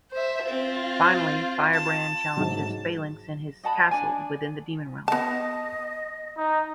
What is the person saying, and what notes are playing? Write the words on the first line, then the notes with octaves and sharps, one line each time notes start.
Finally, Firebrand challenges Phalanx in his castle within the Demon Realm.
C5 E5
C4 F4
A5
G#2 F#3
D#5 F#5 A5 B5
D4 D5 G#5
B3 D#5 A5
D#4